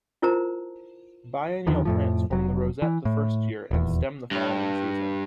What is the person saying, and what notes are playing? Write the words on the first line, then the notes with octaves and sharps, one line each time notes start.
Biennial plants form the rosette the first year and the stem the following season.
E4 F4 A#4 C5 A5 A#5
E2 D3 D#3 F3
F2 A2 F3
F1 F#3
E3
A2
D#1 E2
G2